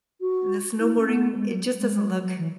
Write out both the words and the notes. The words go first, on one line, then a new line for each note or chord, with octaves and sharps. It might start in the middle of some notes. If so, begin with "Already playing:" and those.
the snowboarding, it just doesn't look
F#4
E4
C#4
B3
G#3
F#3
G#3
G#3
F#3
F#3
E3